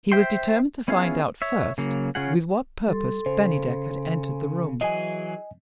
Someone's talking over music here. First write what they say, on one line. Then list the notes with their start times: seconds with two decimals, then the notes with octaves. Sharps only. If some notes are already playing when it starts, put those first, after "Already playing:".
He was determined to find out, first, with what purpose Bennydeck had entered the room.
0.12 C5 E5 G5 C6
0.88 B3 C#4 E4 F4 G#4
1.42 C#5 E5
1.78 C#3 F#3 A#3
2.15 C#3 C#4 F4 G#4 F#5
2.88 G3 A4 C6
3.26 C#3 C5
4.81 E3 F#3 G#4 D#5 G#5